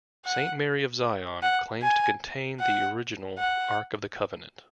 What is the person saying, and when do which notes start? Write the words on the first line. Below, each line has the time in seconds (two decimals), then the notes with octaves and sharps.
Saint Mary of Zion claims to contain the original Ark of the Covenant.
0.25 F#5
1.43 F#5
1.82 G#5
2.60 F#5
3.39 F#5